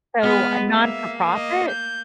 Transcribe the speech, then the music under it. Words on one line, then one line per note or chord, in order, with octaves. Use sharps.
So a non-for-profit?
G#3 B3 F6
A#3 E5
D#5
G6